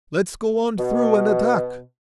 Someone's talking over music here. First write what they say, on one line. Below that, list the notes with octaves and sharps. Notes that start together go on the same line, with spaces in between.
"Let's go on through and attack!"
B2